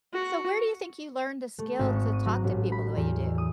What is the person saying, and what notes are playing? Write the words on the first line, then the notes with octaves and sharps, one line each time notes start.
So, where do you think you learned the skill to talk to people the way you do?
F#4
A3
G#1
C#6
D#7
F#3
A1
B5
E2
D#6